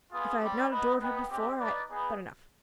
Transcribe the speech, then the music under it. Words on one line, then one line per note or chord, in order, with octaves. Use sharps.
If I had not adored her before I--but enough.
B3 F4 G#4
G3 C4 G4
B3 D#4 B4 D#5
B3 D#4 B4 D#5 G5
G#3 C4 G4
D#4 B4 D5
B3 D#4 G#4 B4